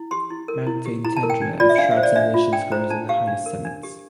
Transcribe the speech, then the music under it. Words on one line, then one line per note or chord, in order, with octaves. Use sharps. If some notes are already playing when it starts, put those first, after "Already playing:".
Mountain tundra of shrubs and lichens grows in the highest summits.
Already playing: E4
G4 C6
E4
A#4
E4
G4
E4 A#5
A5
A#4
G5
D4
F4 D5
E5
D4 F5
E5
C5
D5
D4 E5
F4
D4 G5
C5 A#5
D4 A5
G4 F5
D4
A#4
D4
G4